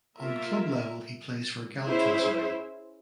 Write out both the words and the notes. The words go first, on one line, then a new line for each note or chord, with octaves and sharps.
On club level he plays for Galatasaray.
A#3 F4 A#4 E5
C#4 E4 G#4 C5 E5